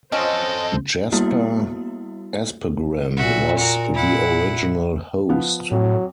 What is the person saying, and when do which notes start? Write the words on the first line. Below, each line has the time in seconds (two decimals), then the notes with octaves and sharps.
Jesper Aspegren was the original host.
0.12 F3 C4 C#4 A4 C5 D#5
1.12 G3 A#3 B3 E4 F#4
3.17 A#2 F#4 E5
3.57 F#4 A#4
3.94 E4 F#5
5.29 F3 B3 F5
5.71 F2 A2 F#3